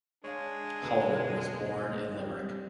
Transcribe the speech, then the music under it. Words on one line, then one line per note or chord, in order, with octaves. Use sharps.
Holohan was born in Limerick.
G#3 D4 C#5 F5
B2 D3 B3
G3 C4